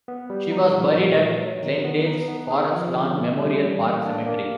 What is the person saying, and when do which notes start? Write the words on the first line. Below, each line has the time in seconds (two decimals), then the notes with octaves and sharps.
She was buried at Glendale's Forest Lawn Memorial Park cemetery.
0.08 B3
0.30 G3
0.52 D#4
0.74 F3
0.96 A#2
1.18 A3
1.40 F#3
1.62 D#3
1.84 B3
2.06 D#4
2.28 B3
2.51 G#4
2.72 F3
2.94 D3
3.16 A3
3.39 G3
3.60 E3
3.83 A#3
4.05 D4
4.26 A#3